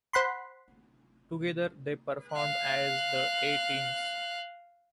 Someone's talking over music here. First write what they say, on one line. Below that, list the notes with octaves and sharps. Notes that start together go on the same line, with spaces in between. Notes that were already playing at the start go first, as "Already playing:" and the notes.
Together they performed as the A-Teens.
C5 F#5 B5 C6
F5 F#6